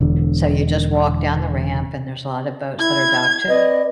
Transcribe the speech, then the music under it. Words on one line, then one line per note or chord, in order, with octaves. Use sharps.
So you just walk down the ramp and there's a lot of boats that are docked to
E1 D3
E4 G#6
C4 B4 D5 D#5